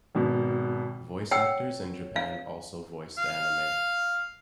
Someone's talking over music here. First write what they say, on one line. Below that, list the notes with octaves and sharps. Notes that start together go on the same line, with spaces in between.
Voice actors in Japan also voiced anime.
G#1 B2
C#5 F#5 G5 E6
F5
F5